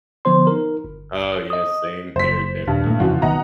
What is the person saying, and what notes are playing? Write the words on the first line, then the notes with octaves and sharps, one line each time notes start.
Oh, yeah, same here, definitely.
D3 F3 B3 C5 C6
D#4 A#4
G1
D#5 D#6
F#1 C5 B6
D#1 G2
A#2 A3
F2 C#3 E3 F3 F4 F#4
B1 D#3 B3 D#5 F#5 A#5